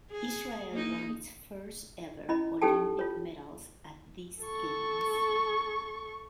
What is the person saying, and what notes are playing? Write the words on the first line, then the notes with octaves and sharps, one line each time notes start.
Israel won its first ever Olympic medals at these Games.
G#4
A#3 D#4
C#4 E4 D#5 B5
C#4 D#4 G4 A4 G5 A5
F4 C#5
A4 C#6